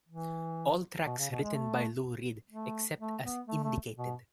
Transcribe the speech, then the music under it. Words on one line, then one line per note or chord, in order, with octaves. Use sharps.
All tracks written by Lou Reed except as indicated.
E3
B2
C#3
B2
G#3
A3
A3
A3
B3
A3
A3
B2